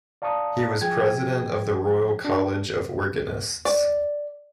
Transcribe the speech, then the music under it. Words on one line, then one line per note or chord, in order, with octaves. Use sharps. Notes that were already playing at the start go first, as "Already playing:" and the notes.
He was president of the Royal College of Organists.
D5 F5 A5 A#5 C#6 D#6
F3 G#4 G5 G#6
D4 G4 A4
D5